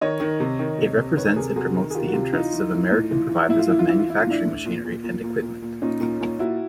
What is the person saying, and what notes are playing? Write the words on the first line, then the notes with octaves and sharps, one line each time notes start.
It represents and promotes the interests of American providers of manufacturing machinery and equipment.
D#3 C#5 D#5
D#3
C3
D#3
C3
C3
D#3 B4 C#5
C3 G#4 A#4
C3 F#4 G#4
D#3
G#4
D#3 F4 G4
F#4
C3 F4 G4
E3 D#4 F4
E3
E3
A2
E3
E3
A2 E4
F4
E3 E4
F4
E3 E4
F4
E3 E4
F4
A2 D4 E4
A2
A#2
A#2
A#2
A#2
A#2
A#2
A#2 C#4 D#4
A#2
A#2
A#2 E4 F#4